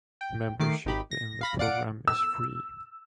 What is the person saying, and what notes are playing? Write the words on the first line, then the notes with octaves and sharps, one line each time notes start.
Membership in the program is free.
G5
D#3 A3 D6 C7
G#1 D#4 G4 B5
A#6
F5 B5 A#6
D5 F5 F#5 D7
E6